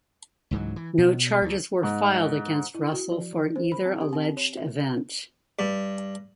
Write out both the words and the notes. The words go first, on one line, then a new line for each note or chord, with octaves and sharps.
No charges were filed against Russell for either alleged event.
C#2 G#2 E3 F#3
E3
B2
D2
G#2
E4
F#4
F3
E3
C5
B5
C4
G4
C4
C#5
E5
G2